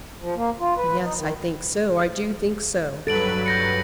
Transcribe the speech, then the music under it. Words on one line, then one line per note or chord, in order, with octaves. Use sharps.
"Yes, I think so; I do think so."
F3
A#3
F4
B4
D#4
D#3
G2 F#3 A4 B4 A6 D7 F#7
G6 A#6 C#7